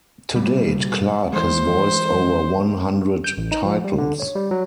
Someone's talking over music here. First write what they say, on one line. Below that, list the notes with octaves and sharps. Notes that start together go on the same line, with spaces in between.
To date, Clarke has voiced over one hundred titles.
B2 G3
E3 G#3 C5
G6
A1
D#4
F3
G3
D3
C#5
G3
F#3